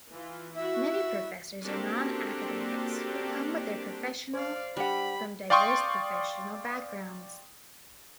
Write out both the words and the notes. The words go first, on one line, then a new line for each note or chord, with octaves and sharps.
Many professors are non-academics who come with their professional from diverse professional backgrounds.
E3 F4
E4 F#4 E5
A#3 C4 D4 F#4 G4 A4
C5 D5 F5
G3 D4 F#5 B5
D5 F5 G5 C6 C#6 D#6